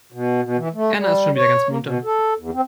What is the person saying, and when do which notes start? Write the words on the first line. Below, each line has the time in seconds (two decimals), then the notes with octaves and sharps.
Erna ist schon wieder ganz munter.
0.12 B2
0.42 B2
0.57 E3
0.74 A3
0.98 G3
1.36 C#5
1.68 A#3
1.82 B2
2.04 A4
2.38 E2
2.54 C4